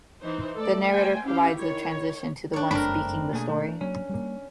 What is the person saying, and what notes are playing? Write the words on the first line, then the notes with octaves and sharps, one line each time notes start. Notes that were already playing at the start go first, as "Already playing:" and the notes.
The narrator provides the transition to the one speaking the story.
E3 D#4 C5
A3 A4 D5
C5 G5 G#5
C#4 E4 G4 F5
D#3 E4 C#5
D4 C#5
F#1 G2 A3 C4 D4 A#4 B5
B2 A3 A#3 G#4
A3
F#3 A#3 C#4
G3 A#3